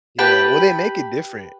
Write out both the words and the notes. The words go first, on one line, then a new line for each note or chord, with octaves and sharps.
Yeah, well, they make it different.
G4 B4 G5 A5